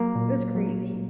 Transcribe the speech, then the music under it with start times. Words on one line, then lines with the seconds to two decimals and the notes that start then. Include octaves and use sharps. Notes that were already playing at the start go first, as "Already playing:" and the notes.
it was crazy.
Already playing: F#3 A#3
0.15 A#2
0.55 F#3